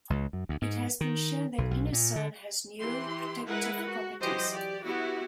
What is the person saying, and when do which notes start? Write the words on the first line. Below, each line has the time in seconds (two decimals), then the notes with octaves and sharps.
It has been shown that inosine has neuroprotective properties.
0.10 C#2
0.33 F#2
0.49 D2
0.62 G#2
1.01 D#3
1.58 B1
1.71 B1
1.93 A#2
2.16 D3
2.80 E3 G4 C6
3.47 G#3 E4 A#4 B4 F#5
3.86 F#4
4.20 E3 F#3 G4 C5 D#5
4.53 G4 D5
4.85 B3 E4 F#4 G4